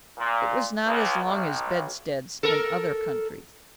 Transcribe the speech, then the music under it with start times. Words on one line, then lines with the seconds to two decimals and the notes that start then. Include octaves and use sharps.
It was not as long as bedsteads in other countries.
0.19 A#2
0.87 C#2
1.24 B1
2.43 A4 A#4